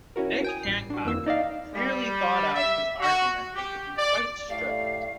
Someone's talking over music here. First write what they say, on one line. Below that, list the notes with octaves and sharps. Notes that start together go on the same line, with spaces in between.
Nick Hancock clearly thought out his argument and could be quite strict.
C#4 E4 F#4 A#4
G5 G#5 D#6
A1 G3 C7
D4 F#4
F2 D#3 E3 A#3 E6
D#4 D5 D#5 F5
G3
E5
F#4
G4
D5
A2 A3 G4 D5 F5